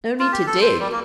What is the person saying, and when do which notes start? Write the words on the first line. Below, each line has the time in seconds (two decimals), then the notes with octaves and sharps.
No need to dig.
0.19 F4
0.33 G4
0.47 A4
0.61 C5
0.80 G3
0.92 A#3